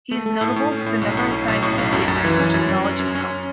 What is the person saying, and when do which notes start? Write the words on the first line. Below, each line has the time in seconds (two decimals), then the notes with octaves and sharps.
He is notable for the number of scientific papers which acknowledge his help.
0.11 A3
0.26 A3
0.41 A2
0.56 A2
0.72 C#4
0.86 A2
1.01 B1
1.17 A2
1.32 C#4
1.48 B1
1.63 A2
1.78 B1
1.93 F#2
2.08 F#2
2.24 E3
2.39 C#4
2.54 F#2
2.69 F#2
2.84 C#4
2.99 F#2
3.15 C#4